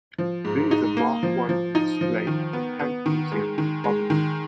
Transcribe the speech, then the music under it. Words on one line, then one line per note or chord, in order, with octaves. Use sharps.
There is a Mark One on display at The Tank Museum, Bovington.
F3
G#2
D#4
A#3
F3
F3
D#4
F3
D#3
B3
B3
D#3
G#3
D#3
G#3
D#3